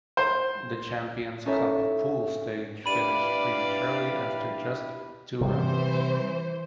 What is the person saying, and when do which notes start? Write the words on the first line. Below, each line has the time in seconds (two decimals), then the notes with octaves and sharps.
The Champions Cup pool stage finished prematurely after just two rounds.
0.17 C5
1.46 C#4 D#4 E4 A4 C#5 E5
2.86 D4 E4 G4 B4 D5 F5 B5 D#7
5.41 C3 E3 G3 C5